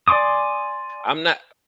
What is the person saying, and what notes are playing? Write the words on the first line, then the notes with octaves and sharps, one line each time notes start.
I'm not
D5 G#5 C6 D6 D#6